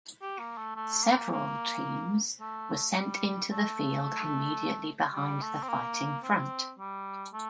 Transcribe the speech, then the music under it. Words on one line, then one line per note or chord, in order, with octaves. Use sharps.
Several teams were sent into the field immediately behind the fighting front.
G4
A#3
A3
A3
A#3
A#3
A3
G3
A3
G3
A3
C4
A#3
C4
G3
A3